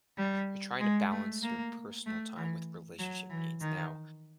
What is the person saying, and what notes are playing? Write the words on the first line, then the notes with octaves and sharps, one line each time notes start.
you're trying to balance your personal time with relationship needs. Now,
G3
G#3
A3
A#3
A3
E3
F#3
E3
D#3